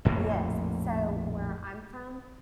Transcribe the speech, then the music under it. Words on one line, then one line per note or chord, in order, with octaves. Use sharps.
Yes, so, where I'm from
A#1 F2 A2 A#3